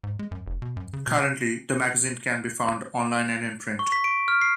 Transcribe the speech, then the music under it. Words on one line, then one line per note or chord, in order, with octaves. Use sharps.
Currently, the magazine can be found online and in print.
G#2
G#3
F#2
F1
B2
F#2
C#3
B2
C#6
B6
D7
F6
C7